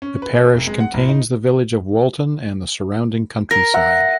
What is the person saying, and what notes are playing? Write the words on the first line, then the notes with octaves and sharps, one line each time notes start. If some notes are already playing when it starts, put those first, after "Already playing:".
The parish contains the village of Walton and the surrounding countryside.
C#4
B4
B2
F1
G#3
F#5
A1
D#4
A#4 A#6
E5 F#5